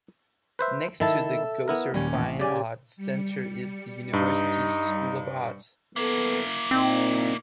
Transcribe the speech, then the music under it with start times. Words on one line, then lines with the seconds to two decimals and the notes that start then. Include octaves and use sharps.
Next to the Gosser Fine Arts Center is the University's School of Art.
0.59 B4 C5 E5
1.00 D#3 E4 A4 E5 A5
1.68 B3 E4 A#4
1.94 D#2 A#2 G3 C#4
2.14 A1
2.39 C#3 G4 D5 G#5
2.96 G3 C#7
4.13 G2 D#4
5.96 A#3 B3 E4 A4
6.71 A#2 C4 D#4